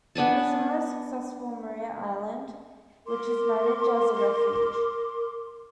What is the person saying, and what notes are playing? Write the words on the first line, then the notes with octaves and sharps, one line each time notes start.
It is most successful on Maria Island, which is managed as a refuge.
B3 D4 G#5 A5
A#4 C6 D6